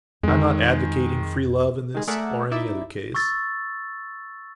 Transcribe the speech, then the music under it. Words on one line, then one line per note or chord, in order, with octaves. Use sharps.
I am not advocating free love in this or any other case.
F2 D#3 G#3
D#3 G#3
A3 G#4 A#4 D5 E5 F#5
D#4 E4 D5 E5
C#6 E6 A6